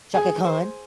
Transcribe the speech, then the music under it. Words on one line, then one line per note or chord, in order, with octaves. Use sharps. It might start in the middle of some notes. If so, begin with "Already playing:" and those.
Chaka Khan.
G#4 G#5
C5